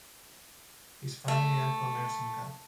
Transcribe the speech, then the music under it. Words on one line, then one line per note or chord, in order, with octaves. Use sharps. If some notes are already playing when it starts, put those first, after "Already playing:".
His family are from Erzincan.
A3